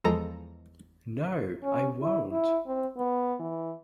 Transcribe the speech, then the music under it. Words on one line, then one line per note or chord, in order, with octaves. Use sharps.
No - I won’t!
E2 F3 G#3 A4 A#5
C#4
E4
E4
C4
B3
E3